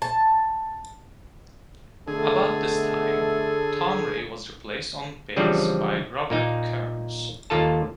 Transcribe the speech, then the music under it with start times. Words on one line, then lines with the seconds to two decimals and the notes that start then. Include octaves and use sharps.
About this time, Tom Ray was replaced on bass by Robert Kearns.
0.02 A5
2.08 B2 D3 A3 G#4 A4
5.36 C#3 E3 F3 G3 C4 D4
6.30 A#2 A#3 D#4
7.50 D#2 A#3 F4 A4 A5